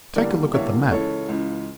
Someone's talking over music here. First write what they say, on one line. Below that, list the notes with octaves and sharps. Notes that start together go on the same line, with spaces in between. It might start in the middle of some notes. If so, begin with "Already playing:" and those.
Take a look at the map!
E2 D3 G3 A#3 A#4 D5
E2 D3 G3 A#3 C#5 E5
C#2 C#3 E3 A4 C#5
C#2 C#3 E3